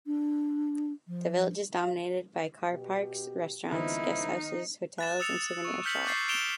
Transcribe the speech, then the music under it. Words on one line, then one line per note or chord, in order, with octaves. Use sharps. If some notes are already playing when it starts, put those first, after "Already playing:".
The village is dominated by car parks, restaurants, guesthouses, hotels and souvenir shops.
D4
F3
F5
B2 G4
C#2 D#3 F3 B3 C4 D#4 E4
F#6 A6 E7
D#6 E6 A6 C#7 F7
C#6
F6 G6 B6 C#7 F#7
D6 F#6 G6 A6 C7
D7 E7 F7 G7